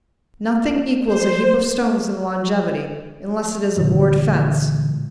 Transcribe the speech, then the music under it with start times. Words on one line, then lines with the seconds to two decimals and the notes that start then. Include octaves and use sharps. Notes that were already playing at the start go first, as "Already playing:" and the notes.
Nothing equals a heap of stones in longevity, unless it is a board fence.
1.06 C5
3.77 A#2 D3 E3 G#3